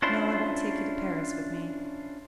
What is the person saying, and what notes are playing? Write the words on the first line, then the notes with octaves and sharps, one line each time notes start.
No, I won't take you to Paris with me.
C#4 D4 E4 F4 C5